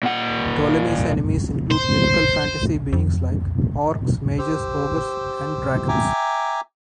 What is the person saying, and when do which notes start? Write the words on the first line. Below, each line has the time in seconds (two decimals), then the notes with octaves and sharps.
Ptolemy's enemies include typical fantasy beings like orcs, mages, ogres, and dragons.
0.03 A#2 F#5
1.71 C5
2.93 F2
4.39 G4 C5 E6
5.88 E5 G5 G#5 A#5 D6